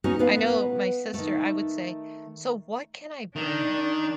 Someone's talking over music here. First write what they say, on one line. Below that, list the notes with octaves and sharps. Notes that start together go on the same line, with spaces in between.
I know my sister I would say, "So, what can I bring?
B3 C#4 D#4 F#4
B3 B4 F5
D#3 A3
D#3 D4